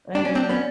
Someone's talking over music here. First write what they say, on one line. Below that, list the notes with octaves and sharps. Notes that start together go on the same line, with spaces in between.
And the
D4 D5
C#4
C4 D4
B3 C#4